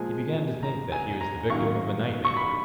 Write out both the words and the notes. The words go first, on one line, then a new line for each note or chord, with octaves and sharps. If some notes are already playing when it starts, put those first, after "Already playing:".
He began to think that he was the victim of a nightmare.
Already playing: A#2 F3 G#3 G#5
A#5
G#5
A#5
F#2 D#3 F#3 A#3 C#6
C#6
B5